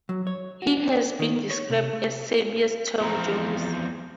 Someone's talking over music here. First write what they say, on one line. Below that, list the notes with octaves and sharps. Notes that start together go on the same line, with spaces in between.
He has been described as "Serbia's Tom Jones".
F#3
C#5
F#4
D4
D5
D#3
C#5
C3
A3
E2 F3 C4 F4 A#5